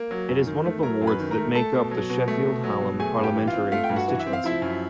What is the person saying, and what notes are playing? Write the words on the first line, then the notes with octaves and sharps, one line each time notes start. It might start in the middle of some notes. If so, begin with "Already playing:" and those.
It is one of the wards that make up the Sheffield Hallam parliamentary constituency.
Already playing: A#3
F#3
F#2
D#3
A3
F#3 A#4 A#5
F#2
B4 B5
D#3
A#4 A#5
A3
A3 A4 A5
B2
F#3
B2
A3
B2
F#3
B2
A3 G#4 G#5
G2
G4 G5
E3
F4 F5
C4
A3 F4 F5
G5
G2
F#4 F#5
E3
E5
C4
F5
F3 E4 E5
F#2